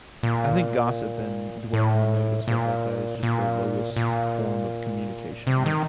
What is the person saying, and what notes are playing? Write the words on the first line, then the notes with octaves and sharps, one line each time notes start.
I think gossip and dwelling on negative stuff like that is just the lowest form of communication. Like,
A#2
A2
A#2
A#2
A#2
C3
D#3